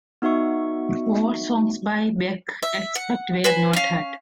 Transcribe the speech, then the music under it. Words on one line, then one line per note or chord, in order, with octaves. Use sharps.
All songs by Beck, except where noted.
B3 D#4 F#4 E5 C#6
E5
F#5
B4 C5 G#5
C#4 F5